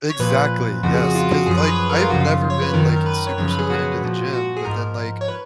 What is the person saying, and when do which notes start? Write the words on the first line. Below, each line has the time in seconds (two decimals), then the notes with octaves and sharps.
Exactly. Yes. 'Cause, like, I've never been, like, super, super into the gym, but then, like,
0.10 C#5
0.19 A#2 F3 B4
0.83 F2 C#3 F3 F#4
0.94 G#4
1.04 F#4
1.15 F4
1.31 F#4
1.46 F#2 F3 G#4
1.57 B4
1.68 C#5
1.78 B4
1.89 A#4
2.00 F4
2.10 F#2 C#3 F3 F#4
2.20 F4
2.50 C#5
2.62 B4
2.74 F#2 D#3 A#4
2.96 A#4
3.06 B4
3.27 C#5
3.38 F#2 C#3 F3 C#5
3.48 B4
3.59 G#4
3.70 F#4
4.01 A#2 F3
4.33 F#4
4.57 G#4
4.65 G#2 F3 A#4
5.21 C#5
5.28 B4